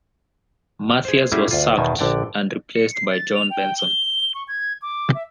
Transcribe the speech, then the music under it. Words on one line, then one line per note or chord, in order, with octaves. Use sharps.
Mathias was sacked, and replaced by John Benson.
G#4 C5
G3 A3 C#4 E4 F#4 G#4
D2 F4
E2 B2 D#3 G#5 A5
A#1 D3 D5 G5
C#7
C7
A6
F7
G5
G7
C#6
G#6
D6
E5